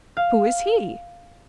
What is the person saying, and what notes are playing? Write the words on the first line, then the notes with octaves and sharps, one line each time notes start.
"Who is he?"
F5